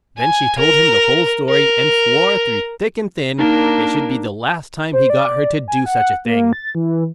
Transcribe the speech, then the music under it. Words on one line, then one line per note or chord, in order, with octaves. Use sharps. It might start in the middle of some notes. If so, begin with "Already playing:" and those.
Then she told him the whole story, and swore, through thick and thin, it should be the last time he got her to do such a thing.
G#5
A#4
A#4
A#3 D4 D#4 A#4
C5
D5
G#5
F#5
A#3
A6
E3